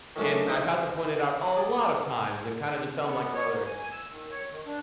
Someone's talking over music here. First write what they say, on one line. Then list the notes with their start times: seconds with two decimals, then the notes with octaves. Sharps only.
and I've had to point it out a lot of times and kinda just tell him like, "Brother,
0.16 D#3 F#3 A3 C#4 D4
0.48 D#4 E4 C5 D#5 E5
1.56 G#4 D5
3.05 B3
3.34 C#5
3.52 A#3
3.64 G#5
3.79 G#5
3.92 E6
4.11 D#3
4.31 C#5
4.49 D#3
4.67 D4